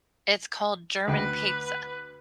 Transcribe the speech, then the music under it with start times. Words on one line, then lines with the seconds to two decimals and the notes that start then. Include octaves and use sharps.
It's called German pizza.
1.08 D2 B4 G5